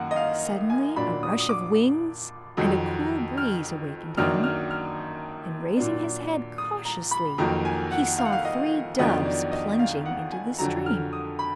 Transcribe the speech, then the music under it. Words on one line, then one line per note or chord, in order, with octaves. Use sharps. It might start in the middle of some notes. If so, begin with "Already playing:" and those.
Suddenly a rush of wings and a cool breeze awakened him, and raising his head cautiously, he saw three doves plunging into the stream.
Already playing: F#2 D#3 A#3 F#5
D#5
F5
G#5
A#2 F#3 D4 B5
D#6
D#6
D6
F2 D#3 F#3
F6
F#2 D#3 F#3 A#3 D4 F6
F6
F6
A#2 F#3 D4
D#6
A#5
B5
F2 D#3 F#3 A#3 A#5
G#5
F#5
F5
F#5
F5
D#5
F2 D#3 F#3 B3 D4 D#5
D5
D#5
F5
F#5
G#5
F2 D3 F#3 A#5
F6
D#6
B5